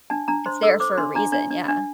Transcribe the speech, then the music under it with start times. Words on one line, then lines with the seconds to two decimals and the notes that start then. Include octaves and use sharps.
It's there for a reason, yeah.
0.10 D4 A5
0.28 D4 A#5
0.46 C5 C6
0.63 A4 E6
0.80 C5 D6
0.97 D4 C6
1.15 D4 A#5
1.32 D4
1.51 D4
1.68 D4